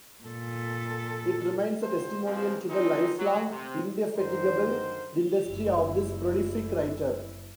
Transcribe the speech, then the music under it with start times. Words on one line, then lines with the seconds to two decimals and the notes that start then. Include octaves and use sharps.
It remains a testimonial to the lifelong indefatigable industry of this prolific writer.
0.24 A#2 A4
1.82 A1 C5
2.24 B2 F3 G#3 A#3 C4
2.68 F2 E3 G#3 C4 D4 D#4
3.17 F#3
3.50 C3
4.17 F#2 D3 D#3 A#4 C5
5.47 F#1 E4